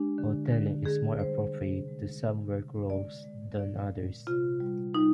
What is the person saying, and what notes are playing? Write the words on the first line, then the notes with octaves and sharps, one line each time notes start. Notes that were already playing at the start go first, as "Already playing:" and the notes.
Hoteling is more appropriate to some work roles than others.
Already playing: G#3 D4 G4
D3
D3
D3 G#4
G3 C5
C3
G#3
C3
C3
G#3 D5
G#3
A#2 D5
A#2
C3 F4
G3
G3 D#4